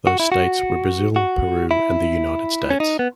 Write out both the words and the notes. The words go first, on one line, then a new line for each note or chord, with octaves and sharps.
Those states were Brazil, Peru and the United States.
F#4
E4
F#4
F#4
E4
C#4
D#4
B3